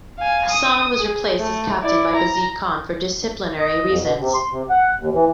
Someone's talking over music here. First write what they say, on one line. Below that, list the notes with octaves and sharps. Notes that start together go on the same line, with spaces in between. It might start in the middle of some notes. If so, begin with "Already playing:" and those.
Hasan was replaced as captain by Bazid Khan for disciplinary reasons.
F5 G#5
D#6
G#4
A3
E4 D5
A#5
D#5
F2
B2
C3
C6
C3
F#5
D#2
E3